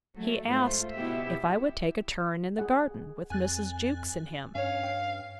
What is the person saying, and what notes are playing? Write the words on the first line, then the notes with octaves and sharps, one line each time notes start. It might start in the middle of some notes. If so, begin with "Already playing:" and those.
He asked, If I would take a turn in the garden with Mrs. Jewkes and him.
F#3 A3
G#2 A3 F4 C5
B2 B3 E4 G4 E5
G#4 F#5
F2 G#5 F#6 A6
G2 C#4 C#5 F5
G5 C7